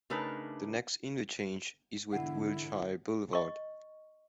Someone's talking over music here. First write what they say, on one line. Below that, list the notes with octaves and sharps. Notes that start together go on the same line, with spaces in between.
The next interchange is with Wilshire Boulevard.
C#3 A3 D4 D#4 A#4 B4
E2 G#2 D3 E4 F#5 A5
D#5 C#6